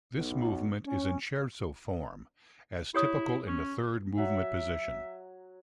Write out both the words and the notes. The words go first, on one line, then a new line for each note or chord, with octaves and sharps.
This movement is in scherzo form, as typical in the third movement position.
B1
C#4
E4 G4 C#5 D#6
C#4
F#3 E5